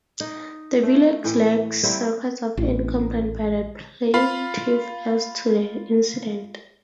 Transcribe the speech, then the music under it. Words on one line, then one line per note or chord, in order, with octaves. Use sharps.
The Village lacks records of any complaint by the Plaintiff as to the incident.
D#4
A3
A2 E3 G5
G3 A#3 C4 E4
A1
F4 F5 B5